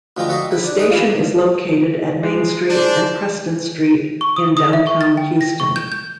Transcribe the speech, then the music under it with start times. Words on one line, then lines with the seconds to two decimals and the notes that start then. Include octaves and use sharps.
The station is located at Main Street and Preston Street in Downtown Houston.
0.17 D2 F3 G#3 G5 A#5 D6
0.29 F#4 A4 D#5 E5 A#5 D6
0.52 B4
0.64 D4
0.77 G#3 D#4 G#4 B4
0.90 E3 F4
2.23 G#3
2.67 D4 C5
4.21 C#6
4.36 D#6
4.57 D#6
4.73 E5
4.87 C#6
5.01 A6
5.17 G5
5.41 A#6
5.60 C#6
5.76 G6
5.92 G6